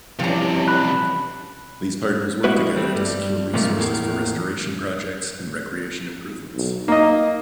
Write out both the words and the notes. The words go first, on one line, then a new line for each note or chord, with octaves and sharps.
These partners work together to secure resources for restoration projects and recreation improvements.
C3 E3 F3 G3 C#4 D4 A#5
B5 F#6
G3 G#3 B3 E4 F#4 B4
G3 A3 C4
G2 G3
G#2 C3 F3 A3 A#3 F4
E2 A2 A#3
B1
A#3 D#4 D#5